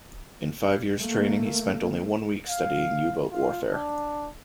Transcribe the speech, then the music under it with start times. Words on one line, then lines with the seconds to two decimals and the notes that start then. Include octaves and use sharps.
In five years' training he spent only one week studying U-boat warfare.
1.00 A3 A#3
2.48 F5
3.32 F4
3.72 D4